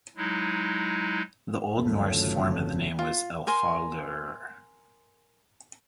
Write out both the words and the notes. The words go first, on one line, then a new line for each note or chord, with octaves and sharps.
The Old Norse form of the name was "Elfardalr".
F#3 G#3 D#4 E4
G1 D#2 C#3 F3 F#3 A3
F4
A#4 G#5 C6